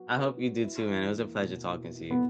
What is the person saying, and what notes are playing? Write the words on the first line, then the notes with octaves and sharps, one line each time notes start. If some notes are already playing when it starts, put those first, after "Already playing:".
I hope you do too, man, it was a pleasure talking to you.
Already playing: F#3 B3 F#4
B3
F#4
E4
E2
A#3
B2
E4
E4
B3